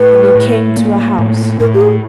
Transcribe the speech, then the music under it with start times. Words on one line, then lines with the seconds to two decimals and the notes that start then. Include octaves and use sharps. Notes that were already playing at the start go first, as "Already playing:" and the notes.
Then he came to a house.
Already playing: A2 B4
0.35 A2
0.77 A#3
1.18 A2
1.60 A2 A#4
1.74 G4
1.81 G#4